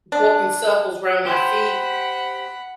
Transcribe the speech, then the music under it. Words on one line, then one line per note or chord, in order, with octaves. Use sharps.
walking circles 'round my feet.
D4
G4 C5 F#5 B5